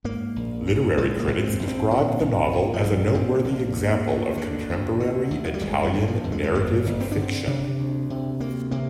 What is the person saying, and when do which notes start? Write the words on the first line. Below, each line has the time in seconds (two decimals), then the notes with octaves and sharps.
Literary critics described the novel as a noteworthy example of contemporary Italian narrative fiction.
0.04 G#2 A#3
0.36 A#1
0.67 G#2
0.98 A#1 G#3
1.20 A#3
1.28 G#2
1.44 C4
1.59 A#1
1.68 C4
1.91 A#2
2.21 A#1
2.53 A#2
2.73 F3
2.83 A#1 G3
3.07 A#3
3.14 A#2 C4
3.44 A#1 A#3
3.76 D3
4.07 D2
4.37 D3
4.69 D2
5.00 D3
5.31 D2
5.45 F3
5.54 G3
5.61 G1 G#3
5.85 G3
5.93 D3
6.08 F3
6.24 F2
6.32 G#3
6.43 G#3
6.55 G1 A#3
6.86 G1
7.01 C4
7.12 D4
7.16 D3
7.22 C4
7.47 C3 D4
7.78 D2
8.10 C3
8.40 D2 A#3
8.71 C3 A#3